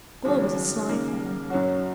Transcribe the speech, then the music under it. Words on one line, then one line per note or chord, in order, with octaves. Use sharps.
Gore was a sly fellow.
D#2 C#3 F#3 C#4
D#2 C#3 A#3
F#2 F#3 C#4 F#4